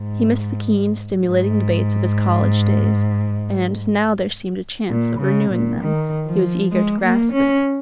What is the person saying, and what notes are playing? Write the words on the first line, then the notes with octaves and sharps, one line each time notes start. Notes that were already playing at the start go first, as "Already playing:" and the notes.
He missed the keen, stimulating debates of his college days and, now there seemed a chance of renewing them, he was eager to grasp it.
Already playing: G#2
G#2
A#2
C#3
A#2
D#3
F3
G#3
A#3
C#4